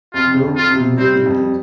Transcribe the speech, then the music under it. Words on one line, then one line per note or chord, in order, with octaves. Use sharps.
No team fielded.
F2 F4
F2
F4
C3
G3 C4
F2